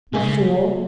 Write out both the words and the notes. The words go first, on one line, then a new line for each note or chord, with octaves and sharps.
The fool!
C3 G#3
C#3